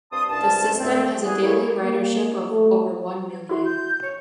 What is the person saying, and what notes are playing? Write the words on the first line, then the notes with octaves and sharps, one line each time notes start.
The system has a daily ridership of over one million.
G2 C4 A5 C6 D#6
C2 G2 C#4 A5
F2 A#2 A3 C4
E3 B3 G#4
A#3 E4 C#5
A#3
A3
E4 F#4 C6
G6
C#5